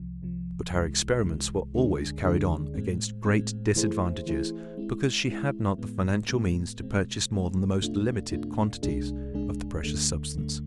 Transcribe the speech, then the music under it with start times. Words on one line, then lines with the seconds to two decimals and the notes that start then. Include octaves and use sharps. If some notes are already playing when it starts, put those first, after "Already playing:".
But her experiments were always carried on against great disadvantages because she had not the financial means to purchase more than the most limited quantities of the precious substance.
Already playing: C2 C3 F3
0.22 C2 C3 F3
0.72 C2 C3 E3 G#3
1.23 C2 C3 E3 G#3
1.73 D2 D3 G#3 D4 G#4
2.24 D2 D3 G#3 D4 G#4
2.75 A2 G#3 C4
3.25 A2 G#3 C4
3.76 E3 A3 E4 G#4 C5
4.27 E3 A3 E4 G#4 C5
4.78 G#3 C4 E4
5.28 G#3 C4 E4
5.78 A2 G#3 B3
6.29 A2 G#3 B3
6.80 B2 G#3 C4
7.31 B2 G#3 C4
7.81 E2 B2 A3 D4 F4
8.31 E2 B2 A3 D4 F4
8.83 C2 C3 G#3 D4 G#4
9.33 C2 C3 G#3 D4 G#4
9.84 D2 D3 A3
10.34 D2 D3 A3